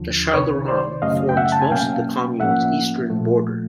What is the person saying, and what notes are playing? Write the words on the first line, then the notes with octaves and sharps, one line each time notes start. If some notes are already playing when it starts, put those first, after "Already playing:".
The Chalaronne forms most of the commune's eastern border.
Already playing: D#2 D3 F3
C2 C3 D#3 B4 C#5
C5 D5
F#2 C#3 F#3 A3 C#4 D#5 F5
G5
E5 F#5
A5
G#5
B2 F#3 A#3 C#4 F5 G5
A2 F3 A#3 C#4 E5 F#5
A#2 F3 A3